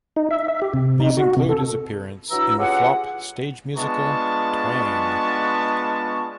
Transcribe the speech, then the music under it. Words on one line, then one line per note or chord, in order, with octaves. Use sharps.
These included his appearance in the flop stage musical Twang!
D#4
E5
E5
G4
C3
D#4
F#4
C3
A4
E3 F#3 D4 E4 A#5 E6
C#4 F4 G4 G#4 B4 F#5
G#3 B3 D4 F4 A5 C#6